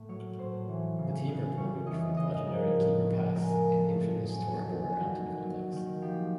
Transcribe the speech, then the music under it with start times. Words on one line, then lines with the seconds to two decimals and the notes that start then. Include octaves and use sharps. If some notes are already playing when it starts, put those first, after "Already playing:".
The team reported from the legendary Khyber Pass and infamous Tora Bora mountain complex.
Already playing: A2 A3
0.09 F#3 C#5
0.38 A2 C5
0.68 E3
0.98 C#3
1.27 C#3
1.57 G3 C#5
1.86 E3 D#5
2.16 C#3 D#5
2.46 F3 A#4
2.76 A2
3.06 A2
3.35 G#3 A#4
3.65 F3
3.80 A4
3.95 A2
4.24 F#3 G#4
4.47 A4
4.54 D#3
4.69 G#4
4.84 D#3
4.91 F#4
5.13 A#3
5.43 F#3
5.72 D#3
6.02 F3 G4